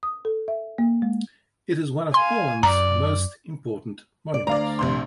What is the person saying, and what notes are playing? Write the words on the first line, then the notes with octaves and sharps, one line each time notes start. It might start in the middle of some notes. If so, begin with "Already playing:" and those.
It is one of Poland's most important monuments.
D#6
A4
E5
A#3
G#3
F5 G#5 C6
F#2 D5 A#5
D5
D2 D5 F5 A#5
A#1 C3 C6